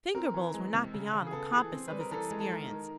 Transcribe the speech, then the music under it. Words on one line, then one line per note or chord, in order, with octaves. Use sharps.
Finger-bowls were not beyond the compass of his experience.
C4 A#4
E3
G#3
C3
C#3
C#3
G#4
B3 A4
E3 G#4
C4
G3 B4
A#4
E3 A4
G#3
A4
D#3 A#4
D#3